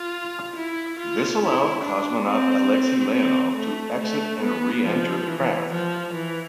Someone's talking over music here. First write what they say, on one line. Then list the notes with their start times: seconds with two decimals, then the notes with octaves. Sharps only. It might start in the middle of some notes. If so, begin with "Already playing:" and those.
This allowed cosmonaut Aleksei Leonov to exit and re-enter the craft.
Already playing: F4
0.55 E4
0.98 F4
1.41 E4
1.84 D4
2.27 C4
3.13 C4
3.56 A3
3.99 A3
4.42 B3
4.86 F3
5.27 E3
5.71 F3
6.13 E3